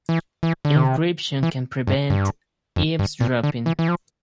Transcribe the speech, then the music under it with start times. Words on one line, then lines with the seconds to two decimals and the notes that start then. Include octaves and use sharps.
Encryption can prevent eavesdropping.
0.09 E3
0.43 E3
0.65 D3
0.76 C3
1.43 E3
1.87 G2
2.10 G2
2.76 F2
2.99 G2
3.21 A#2
3.43 D3
3.66 E3
3.79 E3
3.88 F3